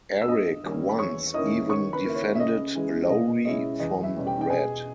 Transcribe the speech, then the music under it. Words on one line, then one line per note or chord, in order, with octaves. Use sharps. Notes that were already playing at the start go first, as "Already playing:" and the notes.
Eric once even defended Laurie from Red.
E6
G2 D#5 D#6
D#3 G3 A#3 C#4
B5
E2 C#5 C#6
D#3 A#3 C#4 E4 D#5 D#6
D#3 C#5 C#6
B4 B5
A#3 E4
C#5
E5
C#3 D#5
E3 G#3
B2 D#5
G#3 C#4 E4 D#5
E2 D#5
E4 E5
B2 G3 C#4
G4 G5
G5
B2 G#4 G#5